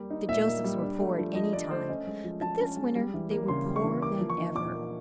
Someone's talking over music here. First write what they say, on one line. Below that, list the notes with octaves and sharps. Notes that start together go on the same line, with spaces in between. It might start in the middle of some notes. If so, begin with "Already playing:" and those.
The Josephs were poor at any time, but this winter they were poorer than ever.
Already playing: G3 A#3
D#4
A#2 E5
A#3
G3
D4
A3
F3
F3 D#5
D4 D5
A3 C5
C#4 D#5
G#3
F3
F3 A5
C#4
G#3
G3
E3
A#3
C#3 C6
G3
C#6
E3
A#3 D6
F3
C#6
D#4
A#2 D6
A#3